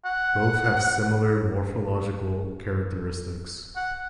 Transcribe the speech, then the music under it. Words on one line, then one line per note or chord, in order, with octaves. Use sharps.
Both have similar morphological characteristics.
F#5
F#5